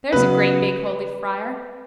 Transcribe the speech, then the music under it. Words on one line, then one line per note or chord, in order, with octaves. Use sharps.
There's a great big holy friar.
C#3 F#3 B3 B4